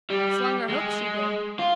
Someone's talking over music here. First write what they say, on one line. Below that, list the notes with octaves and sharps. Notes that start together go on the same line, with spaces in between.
Slung her hook, she did.
G3
G#3
F4